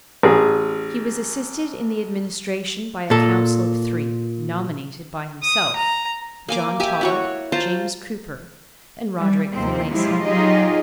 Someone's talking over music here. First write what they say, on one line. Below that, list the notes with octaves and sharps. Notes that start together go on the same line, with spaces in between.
He was assisted in the administration by a council of three, nominated by himself--John Tod, James Cooper, and Roderick Finlayson.
A1 G#4
A#2 A4
D#6
A#5
A#3 G#5 D6
G4 E5 G#5 D6
E4 F#4 C#5
F4 C5 A5 A#5
G3
D#2 C3 E3 A#3 C4
F3 F#3 G#3 E4 F4 G4
F#3 D#4 F4 G4 G#4 D#5